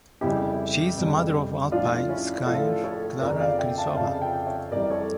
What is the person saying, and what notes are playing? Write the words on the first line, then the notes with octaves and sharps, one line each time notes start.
She is the mother of alpine skier Klára Křížová.
F2 C#3 G3 E4 G4
F2 C#3 G3
A2 F3 D4 F4
C#4 E4
A2 F3 F4 A4
A4 C#5
F2 C#3 F3 A#4 D5
D5 F5
E5 G5
F5 A5
F2 C#3 F3 F5 A5
E5 G5
C#5 E5
F2 E3 G3 A#4 D5
A4 C#5